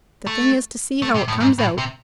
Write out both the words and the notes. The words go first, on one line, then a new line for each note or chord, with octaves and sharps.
The thing is to see how it comes out.
A3
A3
C3
A2
G#2
A2
C3